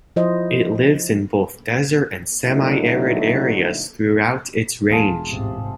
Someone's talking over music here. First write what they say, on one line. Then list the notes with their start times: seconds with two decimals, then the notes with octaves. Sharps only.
It lives in both desert and semiarid areas throughout its range.
0.16 F3 E4 C5 D#5
2.46 A#2 D3 F#3 A3 D#4 E4
4.90 E1 F4 G#4 A5
5.30 A1 G#2 C3